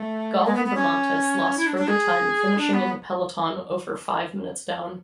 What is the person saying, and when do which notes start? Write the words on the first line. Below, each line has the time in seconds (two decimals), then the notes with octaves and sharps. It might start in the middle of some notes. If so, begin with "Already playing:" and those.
Gaul and Bahamontes lost further time, finishing in the peloton over five minutes down.
Already playing: A3
0.45 G#3
0.55 B3
0.65 B3
0.75 C#4
1.57 E4
1.67 D4
1.77 D4
1.88 G#4
2.58 D4
2.73 B3